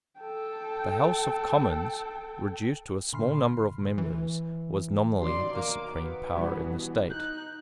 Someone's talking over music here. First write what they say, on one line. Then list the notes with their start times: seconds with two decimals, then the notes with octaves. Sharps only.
The House of Commons, reduced to a small number of members, was nominally the supreme power in the state.
0.20 A4 G5
3.13 A#2 D3 B5 C6 F6 C7
3.98 E3
5.21 B1 D#3 F#3 D5 C6
5.55 A#3 D6
5.95 B3
6.35 B2 E3 G3
7.10 D#4 F#6 G6